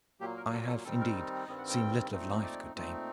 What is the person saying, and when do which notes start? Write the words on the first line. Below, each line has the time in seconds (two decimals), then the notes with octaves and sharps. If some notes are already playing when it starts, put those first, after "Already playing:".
"I have indeed seen little of life, good dame."
0.20 A#2 F#3 A#3 G4
0.37 A#4
0.52 A4
0.68 A4
0.84 D#3 G3 C4 D#4 A4
1.00 A#4
1.47 G2 D#3 G3 C4 D#5
1.58 F#5
1.69 G5
2.11 A#2 A3 C4 D#4
2.42 D5
2.74 A#2 A3 C4 D#4